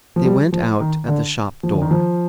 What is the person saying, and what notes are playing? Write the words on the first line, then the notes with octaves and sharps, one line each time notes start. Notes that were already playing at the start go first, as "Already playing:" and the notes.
They went out at the shop door.
F3
G3
F3
D#3
D3
F3
D3
D#3
F3